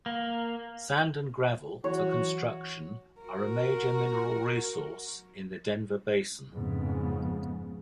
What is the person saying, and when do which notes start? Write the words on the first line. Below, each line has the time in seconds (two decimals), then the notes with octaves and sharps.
Sand and gravel for construction are a major mineral resource in the Denver Basin.
0.06 A#3
1.84 E3 F#3 F#4 C#5
3.21 F#4 A#4
6.52 F2 G#2 C#3 F3 G#3 B3